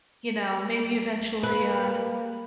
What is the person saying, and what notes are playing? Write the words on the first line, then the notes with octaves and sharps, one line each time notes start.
you know, maybe eventually, uh,
A#3 B4